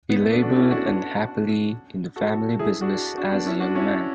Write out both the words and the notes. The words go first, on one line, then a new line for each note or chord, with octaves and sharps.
He labored unhappily in the family business as a young man.
B3
A3
B3 D4
D4 F#4
C#4 E4
D4 F#4
D4 F#4
F#4 A4
E4 G#4
D4 F#4
D4 F#4
B3 D4
C#4 E4
D4 F#4
C#4 E4